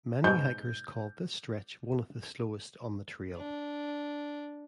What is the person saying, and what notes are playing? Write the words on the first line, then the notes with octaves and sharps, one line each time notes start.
Many hikers call this stretch one of the slowest on the trail.
G#2 B2 G6
D4